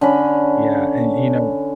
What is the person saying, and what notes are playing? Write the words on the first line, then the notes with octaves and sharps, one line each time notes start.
Yeah, and, y you know
D3 C#4 B5